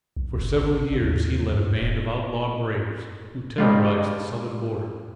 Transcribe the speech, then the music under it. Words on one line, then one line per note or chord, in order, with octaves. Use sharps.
For several years he led a band of outlaw braves, who terrorized the Southern border.
B1
F#1
G#1
D#2
E2
G2
D1
G2 G3 G#3 F4 D#5